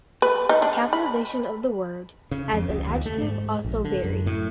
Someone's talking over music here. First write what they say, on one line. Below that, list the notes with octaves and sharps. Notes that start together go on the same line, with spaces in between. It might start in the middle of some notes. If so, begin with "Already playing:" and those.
Capitalization of the word as an adjective also varies.
B4
D#4
D4
B5
C#3
F2
C#2
D#2
A3
G#2
A#1
D3
F#2
A2